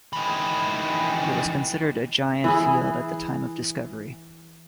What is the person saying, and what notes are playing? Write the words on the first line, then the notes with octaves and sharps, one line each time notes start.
It was considered a "giant" field at the time of discovery.
D#3 E3
E3 E4 G#4